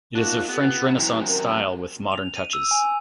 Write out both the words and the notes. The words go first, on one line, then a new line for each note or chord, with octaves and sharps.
It is of French Renaissance style with modern touches.
A#3 D4 D#4 F4 F#4
B3 G4 A4
F#2 C3 E3
A#4
F7
D#7
E6
G#5